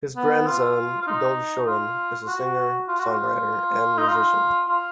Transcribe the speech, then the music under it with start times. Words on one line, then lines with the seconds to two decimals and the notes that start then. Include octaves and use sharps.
His grandson Dov Shurin is a singer-songwriter and musician.
0.16 B3
0.46 F4
1.02 F4
1.07 D#4
1.67 F4
2.27 F#4
2.88 F4
2.99 F#4
3.09 F4
3.98 D#4
4.08 F4
4.69 F4